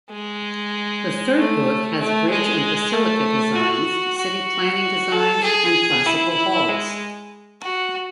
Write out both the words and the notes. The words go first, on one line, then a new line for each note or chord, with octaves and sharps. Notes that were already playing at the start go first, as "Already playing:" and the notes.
The third book has bridge and basilica designs, city planning designs, and classical halls.
G#3
A3
A3
G#3
A3
F#4
F#4
A4
G#4
E4
G#3
F#4